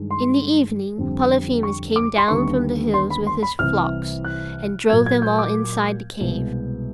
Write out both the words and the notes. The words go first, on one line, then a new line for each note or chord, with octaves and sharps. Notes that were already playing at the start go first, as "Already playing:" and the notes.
In the evening Polyphemus came down from the hills with his flocks and drove them all inside the cave.
Already playing: G2 D#3 G#3
C6
F2 D3 G3 C4
C#6
D6
C6
D#2 D3 G3 B3 C#6
C6
B5
C6
B5
C2 C3 E3 F6
F#6
A#2 F#3 A#3 G#6
G#6
G6
D6
C2 B2 G#3 B3